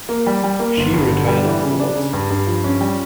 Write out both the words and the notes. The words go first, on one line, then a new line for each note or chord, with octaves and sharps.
She retired afterwards.
A#3
G3
G3
A#3
G1
G2
D3
G3
E3
C#3
D4
C#3
G2
G2
F3
C#4
G3